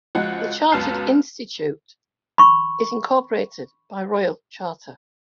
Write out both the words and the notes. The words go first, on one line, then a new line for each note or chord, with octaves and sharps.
The Chartered Institute is incorporated by Royal Charter.
C#2 F3 G#3 F#4 F#5
C#2 F#2 B3 A5 F6 C7
B5 C#6